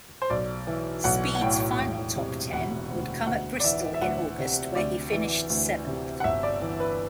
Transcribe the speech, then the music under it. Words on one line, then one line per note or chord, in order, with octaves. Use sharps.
Speed's final top ten would come at Bristol in August where he finished seventh.
C5
B1 D5
E3
B1 F#5
F#5
A2 G5
E1
C3
E1 F#5
D2
D2 F#5
D5
E3 E5
E5
D2 F#5
C3
D2 D5
E3
D2
C3
F#5
G1 E5
D5
E3
B4